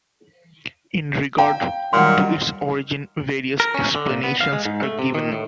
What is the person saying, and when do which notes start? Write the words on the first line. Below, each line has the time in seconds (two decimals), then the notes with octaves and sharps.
In regard to its origin, various explanations are given.
1.38 F5 G5 A#5
1.93 A#2 D#3 F#3 G3 F#5 C6
3.60 A#4
3.74 C#4
3.95 D3
4.10 A#2
4.24 B3
4.41 F5
4.53 G#3
4.65 G#2
4.83 A3
4.99 C3
5.15 D#3
5.32 A2